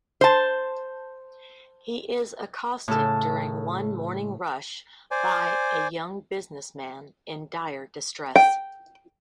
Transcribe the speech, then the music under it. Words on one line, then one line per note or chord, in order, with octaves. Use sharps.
He is accosted during one morning rush by a young businessman in dire distress.
C5 A5
A2 C#3 A4
C5 D5 G#5
G5